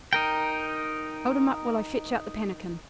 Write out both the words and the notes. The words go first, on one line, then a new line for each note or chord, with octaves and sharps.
'Hold him up while I fetch out the pannikin.
D#4 A#4 G5